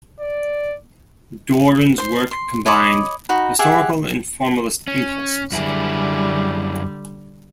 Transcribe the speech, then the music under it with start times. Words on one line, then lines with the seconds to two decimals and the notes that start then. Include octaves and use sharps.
Doran's work combined historical and formalist impulses.
0.20 D5
1.98 C5 C6
2.31 C6
2.66 C#5 D#5 B5 D6
3.29 D#4 F#4 B5
3.59 G4 G#4 E5 F#5
4.88 C#4
5.52 F#2 D3 G3 E4 G#4